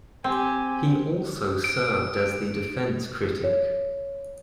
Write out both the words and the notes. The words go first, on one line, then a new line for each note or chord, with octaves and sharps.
He also served as the defence critic.
C4 G4 G#5
D7
C#5